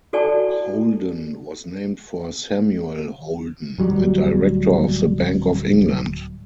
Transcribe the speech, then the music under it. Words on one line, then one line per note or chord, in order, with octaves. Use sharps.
Holden was named for Samuel Holden, a director of the Bank of England.
E4 F#4 A4 D5 G#5 A5
D1 F#3 G3